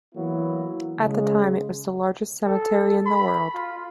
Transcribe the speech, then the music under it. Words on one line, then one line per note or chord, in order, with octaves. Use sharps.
At the time it was the largest cemetery in the world.
E3 F#3 A#3 B3 E4
C#3 G#3
A4
B5
F4